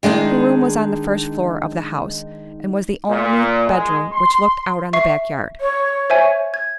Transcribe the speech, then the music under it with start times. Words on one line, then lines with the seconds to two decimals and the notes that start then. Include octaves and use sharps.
Her room was on the first floor of the house, and was the only bedroom which looked out on the back-yard.
0.03 D#3 G#3 D4 D#4
3.09 A#2
3.67 G#3
4.13 C6
4.93 E5 C#6 C7
5.61 C#5
6.10 C5 E5 G#5
6.54 G#6